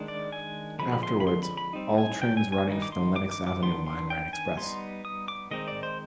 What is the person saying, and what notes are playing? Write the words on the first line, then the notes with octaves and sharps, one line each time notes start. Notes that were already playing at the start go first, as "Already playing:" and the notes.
Afterwards, all trains running from the Lenox Avenue Line ran express.
Already playing: D#3 G#3 D4
D5
G#5
D3 F3 G#3 C4 B5
B5
C6
B5
C6
B5
B5
G3 C4 D#4
G#5
G5
G#5
G#5
D#3 G3 D#4
D6
C6
D6
D6
D6
D#3 B3 D4 C6
C6
G5
G#5
G3 B3 D#4 C6
D#6
D6
D#3 G#3 C4 D#4 D#5
D5
C5